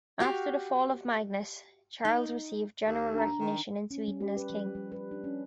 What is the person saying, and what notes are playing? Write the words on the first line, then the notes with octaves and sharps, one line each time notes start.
After the fall of Magnus, Charles received general recognition in Sweden as king.
F#4 G4 F5
D#4
D#2
D4 A#5
D#3
C#4
G3
G4
B4
F3
G3
B4
D4
C#4